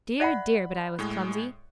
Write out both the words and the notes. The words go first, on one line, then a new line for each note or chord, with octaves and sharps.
Dear, dear, but I was clumsy!
D5 E5 F#5 B5 F#6
A2 G#3